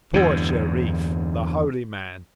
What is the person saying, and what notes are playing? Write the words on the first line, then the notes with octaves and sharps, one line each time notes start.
Poor Shereef!—the holy man!
E2 G2 D3